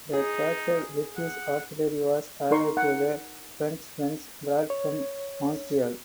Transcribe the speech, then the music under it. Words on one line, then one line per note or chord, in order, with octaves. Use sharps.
The captured British artillery was added to the French guns brought from Montreal.
D#4 G#4
F#5
D#4 A#4 C6 C#6
F#5
C#5